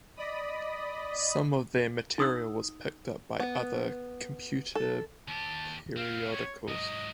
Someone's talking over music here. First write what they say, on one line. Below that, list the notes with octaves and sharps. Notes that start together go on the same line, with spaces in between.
Some of their material was picked up by other computer periodicals.
D5 D#5 B5 D#6
D#4 D#6 E6
B3
A4
D#2 G4 A5
B3 C4 F5
C#5
G#2 F#3 D#5